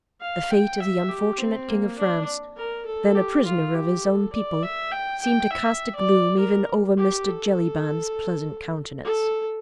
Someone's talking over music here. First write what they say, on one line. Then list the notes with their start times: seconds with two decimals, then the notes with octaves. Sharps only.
The fate of the unfortunate King of France, then a prisoner of his own people, seemed to cast a gloom even over Mr. Jellyband's pleasant countenance.
0.21 F5
0.50 G5
0.80 E5
1.09 G4
1.38 C4
1.68 A#3
1.98 D4
2.57 A#4
2.86 A4
3.15 G4
3.45 F4
3.74 G4
4.04 A4
4.33 D5
4.63 E5
4.92 G5
5.22 G5
5.51 E5
5.95 D5
6.39 A#4
6.98 G4
7.27 A4
9.04 A4